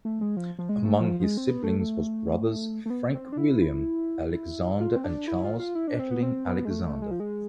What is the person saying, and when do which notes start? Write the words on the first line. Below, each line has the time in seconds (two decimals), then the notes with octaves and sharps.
Among his siblings was brothers Frank William Alexander and Charles Elting Alexander.
0.05 A3
0.21 G#3
0.37 F3
0.59 F3
0.69 G#3
0.84 A3
1.00 F3
1.20 F3
1.24 G#3
1.37 C4
1.48 B3
1.64 A3
1.79 A3
2.86 A3
2.90 B3
3.14 C4
3.32 D4
3.37 E4
3.62 E4
4.80 F4
4.96 C4
5.04 D4
5.28 E4
5.44 F4
5.59 F4
5.75 E4
5.88 D4
5.99 C4
6.11 B3
6.23 C4
6.47 B3
6.65 G#3
6.70 A3
6.87 A3
7.02 G#3
7.11 F3
7.20 G#3